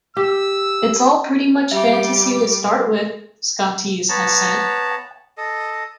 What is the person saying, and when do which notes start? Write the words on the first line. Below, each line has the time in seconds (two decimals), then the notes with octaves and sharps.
"It's all pretty much fantasy to start with", Scotese has said.
0.17 G4 E6
1.71 G3 E5 D6
4.09 B3 C#5 A5 A#5
5.37 A4 D#5